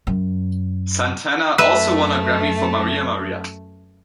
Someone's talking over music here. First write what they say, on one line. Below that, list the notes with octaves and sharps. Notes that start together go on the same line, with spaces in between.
Santana also won a Grammy for "Maria Maria".
F#2
F#2 A3 B4 E5